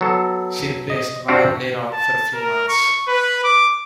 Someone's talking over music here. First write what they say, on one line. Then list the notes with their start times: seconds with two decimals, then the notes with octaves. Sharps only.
She replaced Van Lierop for a few months.
0.01 F#3 B3 A4
0.90 D#5
1.28 C4 D4 F#4 G4 F5
1.93 A5
2.34 A#4
2.69 C#6
3.08 B4
3.44 D6